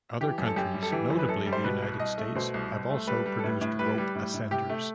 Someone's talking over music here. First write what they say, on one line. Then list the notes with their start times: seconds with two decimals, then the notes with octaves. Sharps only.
Other countries, notably the United States, have also produced rope ascenders.
0.21 E3 G4
0.38 F#2
0.46 A4
0.56 F#2 G4
0.74 G3
0.83 A4
0.92 E3 G4
1.10 F#2
1.19 B4
1.28 F#2 A4
1.46 G3
1.53 C5
1.64 B2 B4
1.82 C2
2.00 C2 D#5
2.18 A3
2.35 B2 C5
2.54 C2
2.72 C2
2.90 A3
3.07 G3 B4
3.26 G3
3.39 A4
3.44 A2 B4
3.61 A2
3.79 G3 B4
3.98 G3
4.15 A2
4.34 A2
4.51 C3 G4
4.69 A3